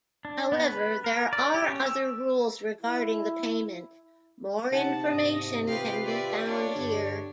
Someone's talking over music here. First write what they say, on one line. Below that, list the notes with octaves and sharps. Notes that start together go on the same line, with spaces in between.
However, there are other rules regarding the payment; more information can be found here.
D4
B3
B4
A#4
D5
G4
C#4
E6
E4
C3 D#4 F#5 A5
G#2 D#5
F4 G4 B4 F5 G5
D5 E5
D4 F4 C#5 D5
G2 D3 G4